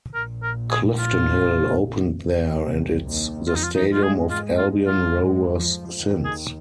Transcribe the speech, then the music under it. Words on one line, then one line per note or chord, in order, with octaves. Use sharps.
Cliftonhill opened there and its the stadium of Albion Rovers since.
A#1 A#2 A#4
A#4
G#4
F4
C2 C3
D#2 D#3
F2 F3 F4
D#4
F4
D#4
G#2 G#3 F4
G#4
F4
F4
F4
G#2 G#3
F2 F3
D#2 D#3
G#4